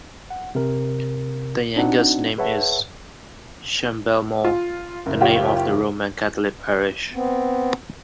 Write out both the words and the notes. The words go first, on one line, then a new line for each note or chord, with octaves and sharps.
The youngest name is Shanballymore, the name of the Roman Catholic parish.
F#5
C3 A#4
C4 D4 D#4 F#4 F#5
G#4 B4 C#5 E5 F#5 A5
F4
F#1
F4 G4 C#5
B3 C4